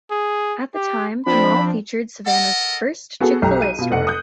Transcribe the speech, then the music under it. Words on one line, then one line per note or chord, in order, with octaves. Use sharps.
At the time, the mall featured Savannah's first Chick Fil-A store.
G#4
G4
F3 C4 D4 B5
A4 A#4 D#5 F#5
B3 F#4 G#4 A4
B1 G4 A#5
D#7
B2 F4
F1 F#5 F#6 C#7
D#6 F#6 G6